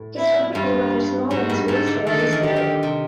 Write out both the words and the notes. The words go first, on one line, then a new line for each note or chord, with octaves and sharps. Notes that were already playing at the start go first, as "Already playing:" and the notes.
His output was rather small and his works are widely scattered.
Already playing: A2
E4
G2 F4
G#2 F#4
G2
G#2 A4
D3
D#3 A4
E3
D#3
D3 G4
D#3
C3